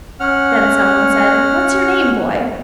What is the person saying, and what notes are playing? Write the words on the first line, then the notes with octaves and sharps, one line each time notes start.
Then someone said, "What's your name, boy?"
C#4 F#5 F6